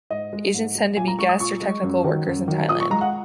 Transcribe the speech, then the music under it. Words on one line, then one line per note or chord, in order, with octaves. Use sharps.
Asians tend to be guest or technical workers in Thailand.
G#2 D#5
G#3
G#2
G#3
A#2 G#5
A#5
G#3 C#6
D#6
A#2 C#6
G#3
F#2
D#3 F#3
F#2
D#3 F#3
A#2 D#6
C#6
G#3 A#5
F#5